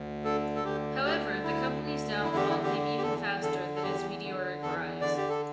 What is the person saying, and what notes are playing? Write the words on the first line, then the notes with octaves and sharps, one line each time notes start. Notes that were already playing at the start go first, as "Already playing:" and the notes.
However, the company's downfall came even faster than its meteoric rise.
Already playing: D2
D3 A4
A4
D2 G4
D3 G4
D2 E4
D3
E2 E4
G4
E4
D3 G4
G4
E2 A4
D3 A4
A4
E2 G4
D3
E2 A4
D3 D5
G4
A4